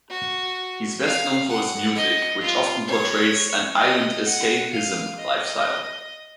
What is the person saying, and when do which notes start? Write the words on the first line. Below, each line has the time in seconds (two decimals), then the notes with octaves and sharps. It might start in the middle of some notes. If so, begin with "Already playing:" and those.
He is best known for his music, which often portrays an "island escapism" lifestyle.
0.10 F#4
1.03 F5
1.49 F#5
1.95 D#5
2.41 F4
2.88 C#5
3.79 D#5
4.25 F#5
4.72 F5
5.18 D#5